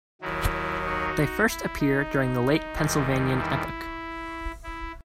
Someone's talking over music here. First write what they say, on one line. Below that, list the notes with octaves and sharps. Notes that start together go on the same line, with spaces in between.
They first appear during the Late Pennsylvanian epoch.
D#2 D#3 F#3 E4
D#4 F#4
E4
D#4
E2 D#3 G3
E4
E4